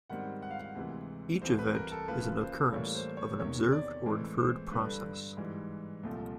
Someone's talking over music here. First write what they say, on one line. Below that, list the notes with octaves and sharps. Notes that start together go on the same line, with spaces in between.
Each event is an occurrence of an observed or inferred process.
G#2 D#3 G3 C4 F#5
F#5
F5
F#5
D2 C3 E3 G#3
C2 C3 E3 A3 C4 C5
B4
A#4
A4
D2 C#3 F3 A#3 B4
C5
A2 E3 G3 A#3 C#5
C5
C#5
E2 C3 D#3 C#5
D5
A2 E3 G#3 C4
C5
G2 D3 G3 B4
G#2 E3 G3
C2 A#2 F3 A3